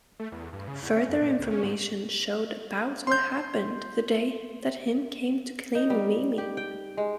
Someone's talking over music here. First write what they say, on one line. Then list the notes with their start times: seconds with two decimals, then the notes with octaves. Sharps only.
Further information showed about what happened the day that Him came to claim Mimi.
0.20 A3
0.32 E2
0.53 G2
0.68 C#3
0.83 E2
0.96 C#4
1.09 F#2
1.22 A#2
1.39 C#2
1.51 C#4
1.63 G#2
3.07 C6 G6
5.75 D#4
5.90 G3
6.38 G4
6.57 G5
6.97 G#3